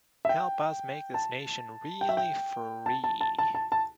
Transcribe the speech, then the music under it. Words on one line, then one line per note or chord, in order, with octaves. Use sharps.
Help us make this nation really free.
E5
G5
A5
G5
E5
G5
A5
A5
A5
A5
A5
A5